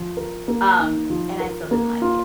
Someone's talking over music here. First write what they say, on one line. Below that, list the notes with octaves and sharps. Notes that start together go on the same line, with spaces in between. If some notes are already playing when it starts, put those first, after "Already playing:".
Um, and I still didn't like it.
Already playing: F3
A#4
A#3
D#4
F3
A#4
A#3
F4